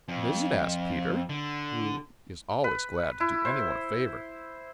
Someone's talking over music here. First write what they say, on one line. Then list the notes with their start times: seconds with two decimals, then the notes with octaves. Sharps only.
"What is it?" asked Peter, who is always glad to do any one a favor.
0.08 F2
1.29 D3
2.64 B4
3.20 E4
3.45 C5